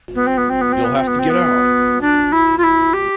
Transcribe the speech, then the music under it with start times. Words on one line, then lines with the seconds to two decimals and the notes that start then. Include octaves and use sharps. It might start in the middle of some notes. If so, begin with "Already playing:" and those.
You'll have to get out!
0.15 B3
0.26 C4
0.37 B3
0.49 C4
0.61 B3
0.72 C4
0.84 B3
0.96 C4
1.07 B3
1.18 C4
1.29 B3
2.01 D4
2.32 E4
2.57 F4
2.63 E4
2.93 G4